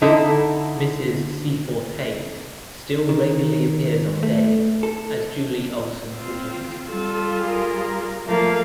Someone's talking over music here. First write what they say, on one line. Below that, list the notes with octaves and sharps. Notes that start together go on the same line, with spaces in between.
Mrs. Seaforth Hayes still regularly appears on "Days" as Julie Olsen Williams.
D3 D#4 E4 A4
D#3
A3
A4
C4 F4
G3 F4 A4
G#4 A#4
F3 A3 A#3 A#4 F5